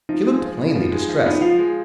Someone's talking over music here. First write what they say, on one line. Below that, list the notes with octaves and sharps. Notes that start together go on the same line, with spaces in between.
She looked plainly distressed.
F3 D#4
G#3
F3
B3
F3
G#3
F3
B3 D#4
F3 F4
G#3